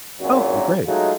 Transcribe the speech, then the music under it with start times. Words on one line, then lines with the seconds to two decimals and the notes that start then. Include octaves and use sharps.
Okay, great.
0.21 G#1 F#2 A#2 F#3
0.87 F#3 G#3 A3 D#4 F4